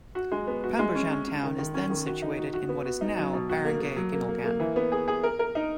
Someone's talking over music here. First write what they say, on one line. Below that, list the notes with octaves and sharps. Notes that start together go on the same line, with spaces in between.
Pambujan town is then situated in what is now Barangay Ginulgan.
F#4
G#3
B3
F#4
G#3
C#4
C#4
C#4
D#3
D#3
C#4
D#3
F#4
D#4
F#4
F#4
B3
F#4
D#4
F#3
B2
F#4
A#3
A#3
F#3
A#3
A#3
A#3
E3
B3
G#4
G#4
A#4
A#4
D#4